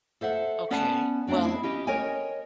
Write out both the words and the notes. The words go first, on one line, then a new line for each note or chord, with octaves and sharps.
Okay. Well,
A4 C5 E5 F#5
B3 C#4 B4 D5 F#5 A5
A3 B3 C4 D4 C#5
G#3 E4
C#4 G4 D#5
A#4 C#5 D#5 G5 G#5